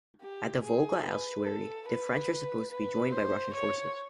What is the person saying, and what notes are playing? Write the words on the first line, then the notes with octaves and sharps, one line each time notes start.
At the Volga estuary, the French were supposed to be joined by Russian forces.
G4
G#4
B4
A4
B4
B4
C5
C#5